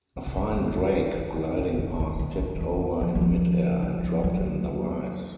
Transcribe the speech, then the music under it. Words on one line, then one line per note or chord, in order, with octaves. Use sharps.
A fine drake gliding past tipped over in midair and dropped in the rice.
C#3
C#3
D3
D#3
E3
E3
D#3
D3
C#3
C#3
D3
D#3
D#3
E3
F3
F#3
F3
E3
F3
F#3